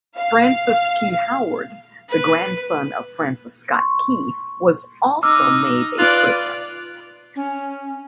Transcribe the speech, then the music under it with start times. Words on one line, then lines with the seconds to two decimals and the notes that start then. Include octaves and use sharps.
Francis Key Howard, the grandson of Francis Scott Key was also made a prisoner.
0.16 F5
2.09 B4
3.72 C6 C#6
5.23 D#4 D6 E6 F6
5.99 F4 B4 D5 F#6
7.36 C#4